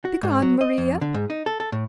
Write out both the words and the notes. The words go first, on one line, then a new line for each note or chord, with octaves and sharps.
Begone, Maria!
F#4
G#2
F#3
D#5
F2
D3
G#2
D#4
A4
A4
A2